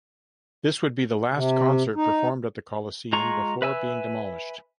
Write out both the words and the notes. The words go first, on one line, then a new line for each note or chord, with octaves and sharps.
This would be the last concert performed at the Coliseum before being demolished.
C3
D#4
G#3 F4 A#5 C#6
B4 E5 G#5 E6